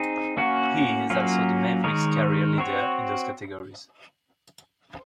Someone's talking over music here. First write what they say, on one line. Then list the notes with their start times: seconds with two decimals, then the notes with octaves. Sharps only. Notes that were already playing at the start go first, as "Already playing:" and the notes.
He is also the Mavericks' career leader in those categories.
Already playing: C4 D#4 G#4
0.37 A#3 C#4 F#4
1.10 F#3 A#3 C#4 F4
1.84 D#3 G#3 D#4 A#4 C#5
2.58 C4 F#4 C#5